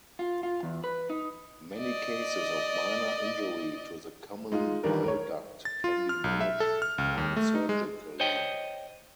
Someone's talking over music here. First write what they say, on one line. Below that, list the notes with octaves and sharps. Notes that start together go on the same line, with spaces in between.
Many cases of minor injury to the common bile duct can be managed non-surgically.
F4
F4
E2
B4
D#4
D5 D#5
G#3 D#4 F4
D#3 E3 G3 D4 A#4
A#4 C#5
A6
F4
F6
B1
E5
A4
F6
C#2
D#2
A3
D#4
G#3
C5 C#5 D#5 G5